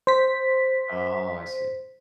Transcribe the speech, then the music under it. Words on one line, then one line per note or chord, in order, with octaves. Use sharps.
Oh, I see.
C5 B6